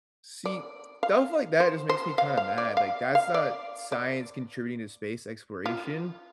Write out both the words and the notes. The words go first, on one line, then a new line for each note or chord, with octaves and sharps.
See, stuff like that just makes me kinda mad, like, that's not science contributing to space exploration,
D5
F5
C5
C5
F5
F5
D5
F5
F5
D5
D5
F4